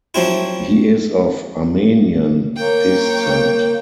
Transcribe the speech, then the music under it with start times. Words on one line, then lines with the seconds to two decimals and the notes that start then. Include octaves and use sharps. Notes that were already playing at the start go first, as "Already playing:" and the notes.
He is of Armenian descent.
0.14 F3 F#3 C4 E4
2.57 A#3 C#5 G5